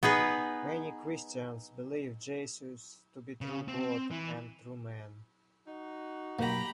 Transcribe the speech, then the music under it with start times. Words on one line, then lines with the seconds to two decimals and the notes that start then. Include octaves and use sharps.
Many Christians believe Jesus to be true God and true man.
0.03 B3 D#4 G#4 B4
3.41 C#3
3.68 C4
3.80 C4
4.11 E3
5.67 D#4 F#4
6.39 B1 G#2 A#3 G4 F#5 A#5 B5